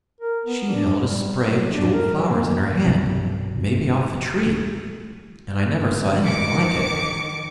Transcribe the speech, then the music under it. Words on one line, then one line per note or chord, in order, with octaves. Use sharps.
She held a spray of jeweled flowers in her hand, maybe off the Tree, and I never saw anything like it.
A#4
B3
D4
G3
F#3
D4
A#4
F#3
A#3
A#3
B1 G2 C3 F#3
D#3 D6 C#7